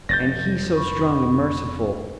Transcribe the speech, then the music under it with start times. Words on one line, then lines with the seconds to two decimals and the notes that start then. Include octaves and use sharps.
And He so strong and merciful.
0.09 F1 G6 A6 A#6
0.75 B5 C#6